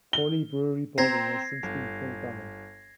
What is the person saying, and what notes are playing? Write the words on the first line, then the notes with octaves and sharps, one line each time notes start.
Pauli brewery building has since been pulled down.
G7
C4 C5 A#5 G#6 A#6 C7
G1